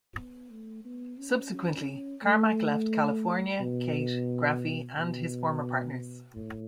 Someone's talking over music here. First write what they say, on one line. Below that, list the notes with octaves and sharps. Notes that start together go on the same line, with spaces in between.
Subsequently, Carmack left California, Kate, Graphie, and his former partners.
B3
A3
B3
C#4
C#4
A3
B2
B2
A2